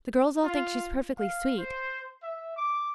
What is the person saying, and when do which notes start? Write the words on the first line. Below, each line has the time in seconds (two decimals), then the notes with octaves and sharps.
The girls all think she is perfectly sweet.
0.43 F4
1.18 F5
1.57 C5
2.23 E5
2.57 D6